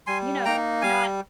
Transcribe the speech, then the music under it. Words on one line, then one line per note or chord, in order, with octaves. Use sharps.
you know, not
G3 G#5 C6
A#3 D#4 G5 A#5
G3 F5 G#5